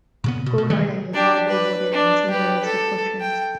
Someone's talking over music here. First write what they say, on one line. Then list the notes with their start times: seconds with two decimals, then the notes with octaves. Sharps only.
Goat island is largely wooded and is interlaced with foot trails.
0.24 A#2 C#3 B3
0.46 B2
0.58 B2
0.70 D#3 E3 G3 A3
1.14 D4 G4
1.48 B4
1.92 D4
2.30 G4 B4
2.65 A4
3.21 G5